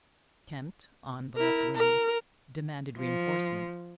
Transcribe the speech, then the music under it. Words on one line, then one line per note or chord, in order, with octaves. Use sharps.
Kempt, on the left wing, demanded reinforcements.
E4 A#4
A#4
F3